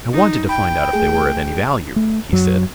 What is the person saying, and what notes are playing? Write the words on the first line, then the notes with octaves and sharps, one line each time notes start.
"I wanted to find out if they were of any value," he said.
D#4
G5 B5
A3 G#4
A3
F#2 F#3